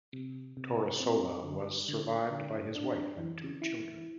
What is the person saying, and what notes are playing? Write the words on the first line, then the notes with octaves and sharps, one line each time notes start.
Torresola was survived by his wife and two children.
C3
C3
C4
D3
D3
D3
D4
E3
E4